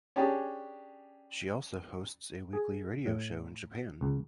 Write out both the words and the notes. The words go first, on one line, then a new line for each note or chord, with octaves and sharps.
She also hosts a weekly radio show in Japan.
C#4 D4 G4 G#4 A5
G#4
A2
C#2